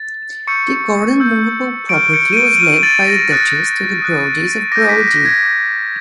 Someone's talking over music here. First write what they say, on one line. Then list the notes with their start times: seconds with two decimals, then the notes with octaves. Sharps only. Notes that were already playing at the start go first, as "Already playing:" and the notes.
The Gordon "moveable" property was left by the Duchess to the Brodies of Brodie.
Already playing: A6
0.47 C#6 E6 G6 C#7
1.18 C#6 E6 G6
1.89 C#6 F6 D7
2.14 C#7
2.33 D#7
2.37 D7
2.53 D7
2.59 C#6 F6 D#7
2.83 A6
3.08 A#6
3.30 D#6 F#6 A6
4.02 D#6 F#6
4.72 D6 G6 A#6
4.85 A#6
4.89 B6
5.08 A#6
5.25 G#6
5.43 D6 G6